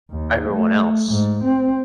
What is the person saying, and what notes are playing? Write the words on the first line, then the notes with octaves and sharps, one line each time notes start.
everyone else?
D#2
A3
G#2
C4